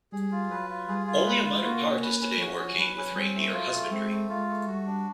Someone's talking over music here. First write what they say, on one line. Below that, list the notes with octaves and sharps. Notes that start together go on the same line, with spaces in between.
Only a minor part is today working with reindeer husbandry.
G3 G#4
F4
F#3 B4
F4
G3 G#4
F4
G#3 B4
F4
A#3 F#4
C#4
B4
C#4
F3 F#4
C#4
F#3 B4
C#4
G3 C4
A3
F#3 F4
A3
G#3 C4
A3
G#3 F4
A3
G3 F#4
D4